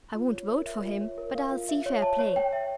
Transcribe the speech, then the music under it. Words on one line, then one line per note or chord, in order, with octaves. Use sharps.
I won't vote for him; but I'll see fair play.
F4
C#5
A#4
E5
F4
C#5
A#4
F5
F4
E5
C#5
A5
C#5
G5
E5